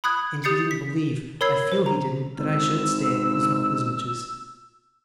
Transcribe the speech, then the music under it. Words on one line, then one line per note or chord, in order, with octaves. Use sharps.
And he didn't believe, I feel he didn't, that I should stay at Kuzma Kuzmitch's.
B5 D#6 F#6 G#6
G4 D#6 G6 A6 C7 C#7
B6
A#4 C#5 B5 E6 G#6 C7
C5
A#5
G#1 E6